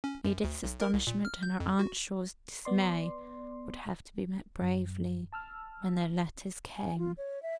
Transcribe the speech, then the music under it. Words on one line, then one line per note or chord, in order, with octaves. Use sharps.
Edith's astonishment and her aunt Shaw's dismay would have to be met bravely, when their letters came.
C#4
F#2
D2
B1
A#4
C2
A#2
F6
G6
F2
F#4
B3 D5 C6
F#2
A5 E6 F6
G#5
F4
C#5
E5